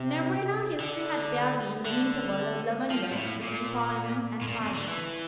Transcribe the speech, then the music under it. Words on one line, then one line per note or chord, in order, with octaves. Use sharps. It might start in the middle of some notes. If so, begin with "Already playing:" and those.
Never in our history had there been an interval of eleven years between Parliament and Parliament.
Already playing: C3
D3
D3
F3
A#2
A2
A#2
A2
A#2
C3
D3
E3